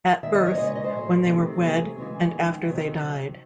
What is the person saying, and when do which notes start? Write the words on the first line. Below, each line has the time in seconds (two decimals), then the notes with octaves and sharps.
At birth, when they were wed and after they died.
0.23 D#3 G#3 E5
0.35 D#5
0.46 C#5
0.58 C#3 G#3 D#5
0.75 D#5
0.84 C5
0.92 A2 F#3 A3
1.27 C3 D#3 A3
1.62 C3 F#3 A3 G#4
1.98 C#3 E3 G#3
2.32 D#3 G#3
2.67 C3 D#3 F#3